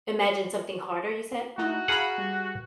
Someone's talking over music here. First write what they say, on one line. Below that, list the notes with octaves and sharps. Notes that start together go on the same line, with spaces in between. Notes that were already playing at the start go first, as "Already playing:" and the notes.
Imagine something harder, you said?
A3 D#4 E4 F#4
G#4 F5 F#5 A#5 B5
G3